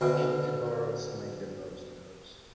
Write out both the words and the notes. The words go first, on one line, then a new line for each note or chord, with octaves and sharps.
Empty barrels make the most noise.
D2 B2